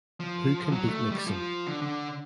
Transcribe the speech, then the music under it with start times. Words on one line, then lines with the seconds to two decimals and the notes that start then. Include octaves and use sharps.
Who Can Beat Nixon?
0.20 F3
0.71 F#3
0.88 A3
1.11 G3
1.27 F3
1.67 D3
1.82 D3